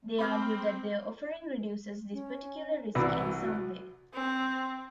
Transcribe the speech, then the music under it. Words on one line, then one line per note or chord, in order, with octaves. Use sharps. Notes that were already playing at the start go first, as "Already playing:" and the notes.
They argue that their offering reduces this particular risk in some way.
C4 B5 D6 F6
C#4
C2 E3 F#4
C4